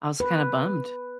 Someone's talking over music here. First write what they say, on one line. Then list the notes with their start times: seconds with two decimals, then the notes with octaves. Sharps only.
I was kinda bummed.
0.20 B4